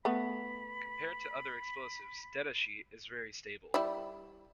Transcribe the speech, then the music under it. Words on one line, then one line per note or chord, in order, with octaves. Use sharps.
Compared to other explosives detasheet is very stable.
A3 B3 B5
G3 E4